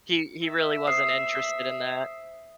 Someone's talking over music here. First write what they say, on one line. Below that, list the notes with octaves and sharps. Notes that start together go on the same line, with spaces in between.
he he really wasn't interested in that.
E5
C5 D#6 C7